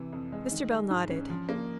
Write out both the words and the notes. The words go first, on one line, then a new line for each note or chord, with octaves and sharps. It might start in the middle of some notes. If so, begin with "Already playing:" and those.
Mr. Bell nodded.
Already playing: C3 E3
F2
G#3
D#3
G#3
G#2
C#4
F3
A#3